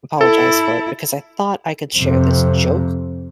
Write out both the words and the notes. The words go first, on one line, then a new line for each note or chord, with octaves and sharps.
apologized for it because I thought I could share this joke
E4 A4
F2 C3